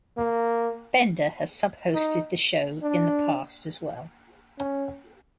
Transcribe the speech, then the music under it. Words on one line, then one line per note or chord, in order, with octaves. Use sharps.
Bender has sub-hosted the show in the past as well.
A#3
D#4
D4
C#4